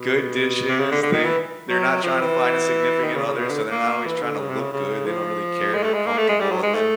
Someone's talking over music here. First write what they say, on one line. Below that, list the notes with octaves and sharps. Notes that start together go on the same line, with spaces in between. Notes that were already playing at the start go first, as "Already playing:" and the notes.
Good dishes, they they're not trying to find a significant other, so they're not always tryna look good, they don't really care, they're comfortable, and then,
Already playing: B2
C3
C#3
D3
D3
D#3
E3
F#3
F3
E3
D#3
C#3
C#3
B2
D3
A#3
E3
D3
C#3
C3
C#3
C#3
F3
G#3
A3
G#3
A#3
A3
G#3
G3
F#3
G#3
A3